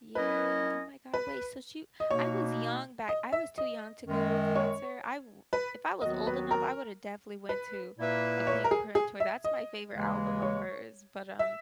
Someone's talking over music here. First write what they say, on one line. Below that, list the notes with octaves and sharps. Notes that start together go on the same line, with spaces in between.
Yeah, oh my god, wait, so she I was young back I was too young to go to a concert, I w if I was old enough, I would've definitely went to a Pinkprint Tour that's my favorite album of hers, but, um
F#3 C#4 E4 A#4 B4 D#5
B4
D#5
B2 A#3 D#4 C#5
D#5
E5
D#5
F#2 D#3 G#3
C#5
B4
D#2 D#3 F#3 B3 F#4 D#5
B4
A#4
B4
A#2 A#3 E4 B4 E5
C#5
A#4
G#4
G#4
E5
D#5
D#2 C#3 E3 G#3
C#5
E5